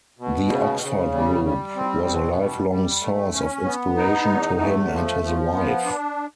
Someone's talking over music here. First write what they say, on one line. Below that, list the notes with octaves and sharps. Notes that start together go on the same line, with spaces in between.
The Oxford Group was a lifelong source of inspiration to him and his wife.
B2
C#3
C#3
G3
G3
C4
B2
G3
G3
A3
C#4
B3
D#4
E2
A3
F3
F3
B3
D4